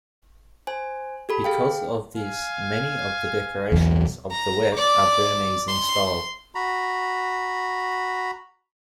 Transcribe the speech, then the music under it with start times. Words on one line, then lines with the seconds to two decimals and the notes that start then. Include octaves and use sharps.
Because of this many of the decorations of the wat are Burmese in style.
0.67 C5 G#5
1.29 G4 A4 B5
1.44 G#4 F5 G5
2.17 F5 G#5
3.72 B1 E2
4.31 A#5
4.75 D5 D6
5.68 C6
6.55 F#4 A#5 B5